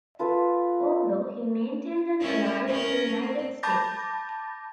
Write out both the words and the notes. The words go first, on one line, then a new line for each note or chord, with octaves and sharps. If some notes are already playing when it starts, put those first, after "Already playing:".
Although, he maintained an ally of the United States.
F4 A4 B4
C#4 E4 A#4
C#4 A#4
C4
A5 B5 D6 G6 A6 A#6